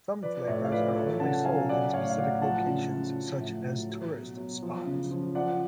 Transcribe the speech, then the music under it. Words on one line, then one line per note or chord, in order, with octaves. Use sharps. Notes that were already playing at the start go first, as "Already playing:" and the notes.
Some flavors are only sold in specific locations, such as tourist spots.
F3 B4 D5
D5
A2 A4 C#5
F5
F3 B4 D5
F#3 A4 C#5
C#3 F#5 A5
F#3 F5 G#5
F#3 D5 F#5
A2 C#5 F5
F5
F#3 D5 F#5
F3 F#5 A5
C#3
F3
F#3
A2
F#3
F#3
B2
F#3
F3
C#3
F3
F3 D5 F#5